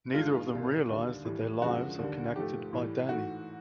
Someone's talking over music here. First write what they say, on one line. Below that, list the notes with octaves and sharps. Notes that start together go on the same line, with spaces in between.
Neither of them realize that their lives are connected by Danny.
G2 D#3 G#3 F4
C2 A#2 G3
D#2 D3 G3
A2 E3 G3
F#2 D3 F3 G#3 F#4
D#2 D3 G3
G#2 F3 A3 G4
A2 E3 G3
G#2 E3 A3 F#4